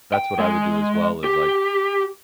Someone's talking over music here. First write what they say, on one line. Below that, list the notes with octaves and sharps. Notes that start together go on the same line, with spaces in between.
that's what I would do as well is, like,
G5
G#3
G4